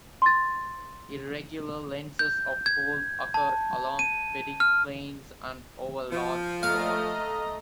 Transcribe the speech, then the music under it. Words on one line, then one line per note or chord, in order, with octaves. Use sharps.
Irregular lenses of coal occur along bedding planes and over large scours.
C6 A6
G6
G#6
A5
D#7
F6
F3
A3 D#5 F5 A#5